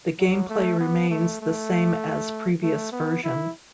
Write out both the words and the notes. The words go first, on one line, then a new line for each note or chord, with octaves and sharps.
The gameplay remains the same as previous version.
F#3
A3
B3
A3
A3
A3
B3
E4